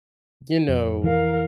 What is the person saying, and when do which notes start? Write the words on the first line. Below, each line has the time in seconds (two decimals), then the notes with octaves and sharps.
you know
0.68 F2
1.04 E3 A#4 F5